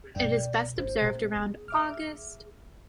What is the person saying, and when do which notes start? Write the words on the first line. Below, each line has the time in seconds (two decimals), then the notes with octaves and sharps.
It is best observed around August.
0.15 C#2 G2 B2 D5 G5
0.77 G#1 G#3 B3 C5
1.02 A#1 A2 C3 C5
1.36 B3 C#4 G#4
1.68 G1 E5 D6 F6